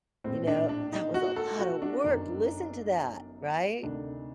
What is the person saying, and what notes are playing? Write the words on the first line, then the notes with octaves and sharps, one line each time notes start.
you know, "That was a lot of work, listen to that," right?
A#1 A2 C4
D4
D4
D#4
F#4
A4
F#4
D4
G1 F#2 D#3
D2 C3 D#3 D4